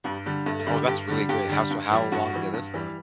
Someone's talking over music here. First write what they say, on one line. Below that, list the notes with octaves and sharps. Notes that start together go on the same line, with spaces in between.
Oh, that's really good how so how long did they live for?
G2 G3
D3 G3
G2 A3
A3
D3 G3
G4
G2 G4
D3 G3
G2 G4
D3 G3
G2
E3 G3
G2 F#4
E3 G3
G2
E3 G3